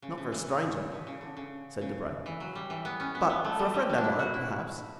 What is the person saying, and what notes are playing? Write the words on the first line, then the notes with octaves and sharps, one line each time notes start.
"Not for a stranger," said Debray, "but for a friend I might, perhaps."
C#3
C#3
E3
C#3
B2
C#3
D3
C#3
C#3
E3
F#3
G3
E3
B3
C#4
B3
B3
A3
F#3
G3
A3
D4
E4
F#4
E4